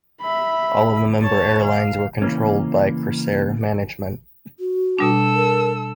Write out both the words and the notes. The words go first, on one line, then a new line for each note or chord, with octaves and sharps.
All of the member airlines were controlled by Krasair management.
E5 B5
C#5 A5
F5
C#3 E3 A#3 C#4
F#4
B2 G3 D4 A4 E6
A#4